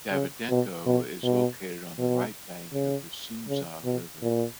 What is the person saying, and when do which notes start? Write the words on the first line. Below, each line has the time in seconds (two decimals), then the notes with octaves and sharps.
Davydenko is located on the right bank of the Sunzha River.
0.12 C#3
0.49 B2
0.86 B2
1.23 B2
1.98 B2
2.73 C#3
3.48 C#3
3.85 B2
4.22 A#2